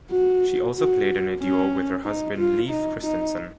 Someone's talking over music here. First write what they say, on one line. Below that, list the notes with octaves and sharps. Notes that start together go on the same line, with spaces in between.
She also played in a duo with her husband Leif Christensen.
F#4
F#4
C#4
D#4
F4
D#4
D#4